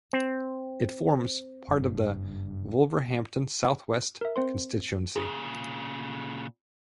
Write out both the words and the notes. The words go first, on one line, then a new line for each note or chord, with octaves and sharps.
It forms part of the Wolverhampton South West constituency.
C4
F#1 G2
A#4 E5
C4 C5 C6
A#2 C#3 G#4